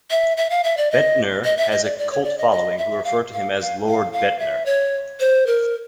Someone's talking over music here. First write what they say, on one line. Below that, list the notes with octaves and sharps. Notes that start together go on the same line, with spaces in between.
Bendtner has a cult following who refer to him as "Lord Bendtner".
E5
E5
F5
E5
D5
D#5
D#5
E5
D#5
D5
D5
C#5
D5
D#5
D#5
E5
F5
F5
F5
F5
F5
E5
C#5
C5
A#4